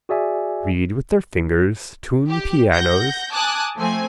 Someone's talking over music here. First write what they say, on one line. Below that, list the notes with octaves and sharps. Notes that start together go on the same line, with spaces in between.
Read with their fingers. Tune pianos.
F#4 G#4 D5 E5 G#5
G4
F#5 G6 A#6
G#5 A5 D6 D#6 F#6
F3 A3 C4 G#5